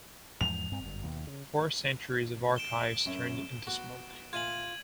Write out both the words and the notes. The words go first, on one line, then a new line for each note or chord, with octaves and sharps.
Four centuries of archives turned into smoke.
E2 G#2 F3 F7
G2 C4
G1 F#2
D#2 B2
C#3
D7 E7 G7
F#2 C#4 E5
B3 F#4
A#2 F4 E5 G#5 G#6 D#7 F#7